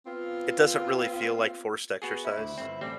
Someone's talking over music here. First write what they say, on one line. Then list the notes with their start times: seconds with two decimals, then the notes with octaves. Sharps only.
it doesn't really feel like forced exercise.
0.06 B3 C4 F4
2.02 B3 F#4 G#4
2.25 E4
2.38 D2
2.58 G1 C4
2.81 A1 G3 C4